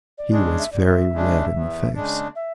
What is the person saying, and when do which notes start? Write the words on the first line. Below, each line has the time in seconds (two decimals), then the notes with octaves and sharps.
He was very red in the face.
0.18 D5
0.31 C#3 G#3 D4
0.59 E5
0.72 E2 D5
0.86 E5
1.13 C#3 G#3 D4
1.54 E2
1.95 C#3 G#3 D4
2.35 E5